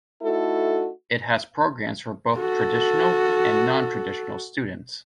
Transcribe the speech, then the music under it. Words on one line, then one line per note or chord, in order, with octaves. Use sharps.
It has programs for both traditional and non-traditional students.
A3 D#4 E4 F#4 A4
F#4 A4